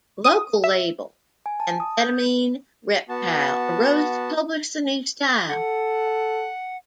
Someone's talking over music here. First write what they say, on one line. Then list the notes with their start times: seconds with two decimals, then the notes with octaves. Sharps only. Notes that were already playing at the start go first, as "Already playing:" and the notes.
Local label Amphetamine Reptile arose to publish the new style.
0.24 D#6
0.64 E5
1.46 G#5
1.60 A5
1.80 D#6
1.99 G6
3.09 B3 F#4 A5
5.49 A4 F#5